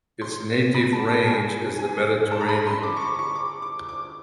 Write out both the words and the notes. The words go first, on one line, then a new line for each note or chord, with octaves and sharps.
Its native range is the Mediterranean.
C6
B5
A5
A5
G#5
G#5
A5
A#5
B5
C6
D6
C#6
D6
C#6
D6
D6
D6